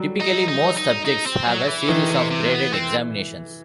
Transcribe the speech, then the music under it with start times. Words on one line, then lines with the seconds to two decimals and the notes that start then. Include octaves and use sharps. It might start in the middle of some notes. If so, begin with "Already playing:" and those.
Typically, most subjects have a series of graded examinations.
Already playing: F#3 G3
0.21 D#4
0.48 D#4
0.77 D#4
1.05 D#4
1.26 C4
1.46 F#3
1.68 E3
1.88 D#3 E3
2.10 C3
2.31 C3
2.52 B3
2.73 C4